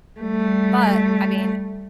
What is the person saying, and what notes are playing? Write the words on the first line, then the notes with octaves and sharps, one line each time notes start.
But, I mean, I
G3 A3